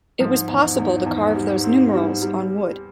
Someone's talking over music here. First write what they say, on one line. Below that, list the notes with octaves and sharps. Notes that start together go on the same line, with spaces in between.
It was possible to carve those numerals on wood.
G#2 F3
E2
E2
E2
G3
C4
G3
G3